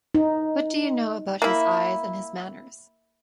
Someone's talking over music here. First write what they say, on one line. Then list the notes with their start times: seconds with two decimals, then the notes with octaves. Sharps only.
What do you know about his eyes and his manners?
0.15 D#4
1.42 A#3 E4